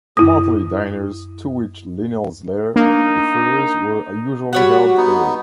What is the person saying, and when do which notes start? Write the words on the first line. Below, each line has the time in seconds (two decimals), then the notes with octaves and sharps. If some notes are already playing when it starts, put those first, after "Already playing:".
The monthly dinners to which Linnell's letter refers were usually held there.
0.17 F#2 E4 D#6
2.76 A#3 D4 D#4
4.53 G3 F#4 C#5 F#5
4.97 B3 D#4